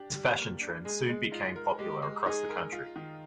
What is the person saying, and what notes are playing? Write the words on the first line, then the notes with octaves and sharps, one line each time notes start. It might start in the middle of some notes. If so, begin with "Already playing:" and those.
This fashion trend soon became popular across the country.
Already playing: D4 G4
G3
A#3
D4
G#3 G#4
G#3
D#4 F4
A#4
G#3 G4
G#3
D#4 G#4
A#4
F4
D#3